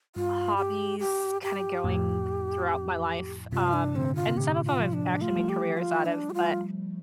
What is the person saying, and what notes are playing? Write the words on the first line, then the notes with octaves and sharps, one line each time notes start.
hobbies, kinda, going throughout my life, um, and some of 'em I've actually made careers out of, but,
G2 F4
G4
G4
G4
F2 A2
G2 C3 F4
D4
A2 D3 C4
F4
C3
A2 D3 G4
F4
C3 F3
D4
A3 F4
G3
F3 A3
G4
F4
D4
G4
F4